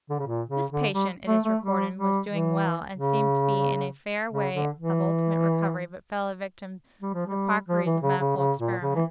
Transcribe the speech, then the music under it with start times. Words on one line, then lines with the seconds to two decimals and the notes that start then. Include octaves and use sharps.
This patient, it is recorded, was doing well and seemed to be in a fair way of ultimate recovery, but fell a victim to the quackeries of medical experiment.
0.10 D3
0.19 C#3
0.26 A#2
0.49 C#3
0.71 D3
0.94 G3
1.27 A3
1.44 A3
1.62 G3
1.95 G3
2.29 E3
2.96 C#3
4.32 C#3
4.54 D3
4.76 E3
7.01 G3
7.14 F3
7.27 G3
7.69 F3
7.86 E3
8.03 C#3
8.20 C#3
8.36 C#3
8.59 A#2
8.81 C#3
8.96 E3